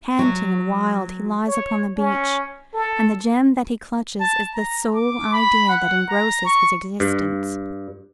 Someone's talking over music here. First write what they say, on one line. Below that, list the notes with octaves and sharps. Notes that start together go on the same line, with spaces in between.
Panting and wild he lies upon the beach, and the gem that he clutches is the sole idea that engrosses his existence.
F#3
C#5
C#4
A4
A5
A#5
D6
B5
F#5
A#5
C#6
G2